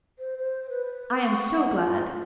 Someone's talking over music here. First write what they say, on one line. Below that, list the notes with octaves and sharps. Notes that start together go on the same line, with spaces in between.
I am so glad.
C5
C5
B4
C#6
F#5
F4